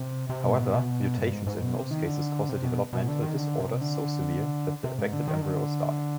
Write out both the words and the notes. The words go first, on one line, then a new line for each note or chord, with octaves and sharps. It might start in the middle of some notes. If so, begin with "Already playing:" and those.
However, mutations in most cases cause a developmental disorder so severe that the affected embryos die.
Already playing: C3
C3
B2
G#2
B2
B2
G2
G#2
G#2
B2
C3
D#3
D3
C3
B2
B2
D3
D#3
D3
C3
D3
C3
G#2
D3
D#3
D3